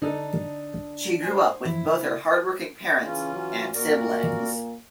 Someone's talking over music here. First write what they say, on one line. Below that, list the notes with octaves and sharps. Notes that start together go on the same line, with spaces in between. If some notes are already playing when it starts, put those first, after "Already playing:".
She grew up with both her hardworking parents and siblings.
D3 D4 D#4 A4
C5 G#5
F#2 E3 F3 E4
C#3
C#3 E3 C#4 F4
F#3
A#2 F#4 A#4 D5